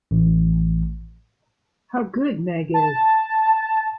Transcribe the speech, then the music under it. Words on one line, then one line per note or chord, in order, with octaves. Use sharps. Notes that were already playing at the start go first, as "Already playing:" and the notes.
How good Meg is!
A1
A5